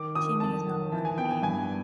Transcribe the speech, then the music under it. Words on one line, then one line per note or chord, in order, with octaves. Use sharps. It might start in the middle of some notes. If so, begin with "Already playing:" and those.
Teaming is not allowed in the game.
Already playing: D#3 D6
D#3 D#6
F2 A5
D#3
E3 A5
G#5
B3 G5
G#5
G2 G#5